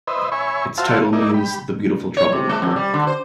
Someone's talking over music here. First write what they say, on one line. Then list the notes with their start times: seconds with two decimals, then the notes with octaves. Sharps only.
Its title means "The Beautiful Troublemaker".
0.07 B4 C5 D#5 E5
0.32 C#5 E5 G#5 B5 C#6
0.78 F4 F#4 C5 E5 F5 A5
1.13 D#4 E4 A#4 D5
1.34 G4 B5
2.17 C#5
2.32 C3
2.49 G#3
2.62 F2
2.76 G3
2.94 D3
3.07 C5